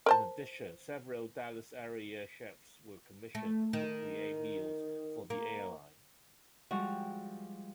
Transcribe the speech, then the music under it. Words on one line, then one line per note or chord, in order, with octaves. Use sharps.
In addition, several Dallas-area chefs were commissioned to create meals for the airline.
A#4 C5 A5
A3
D#3
A#3
F3 G3 G#3 F#4